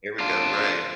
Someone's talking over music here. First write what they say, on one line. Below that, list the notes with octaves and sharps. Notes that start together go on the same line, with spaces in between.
Here we go, right.
D4 F4